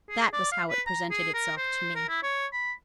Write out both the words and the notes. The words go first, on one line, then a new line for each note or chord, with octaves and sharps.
That was how it presented itself to me.
G#4
D5
F5
B4
A#5
G#4
A#4
C5
A#4
E4
C#5
B5